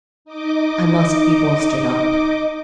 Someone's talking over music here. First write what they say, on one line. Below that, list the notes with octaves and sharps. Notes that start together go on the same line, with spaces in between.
I must be bolstered up.
D#4 D#5 D6